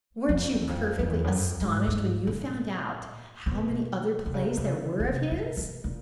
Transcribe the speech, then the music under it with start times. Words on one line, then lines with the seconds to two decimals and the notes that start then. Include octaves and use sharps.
Weren't you perfectly astonished when you found out how many other plays there were of his?
0.29 F2
0.59 E2
0.69 F2
0.99 F2
1.08 E2
1.24 F#2
1.35 F2
1.61 G#2
1.87 G#2
2.27 A#2
3.46 B2
4.26 C3
4.34 C#3
4.42 C3
4.57 C3
4.64 C#3
5.00 C#3
5.05 C3
5.31 A#2
5.57 B2
5.84 A#2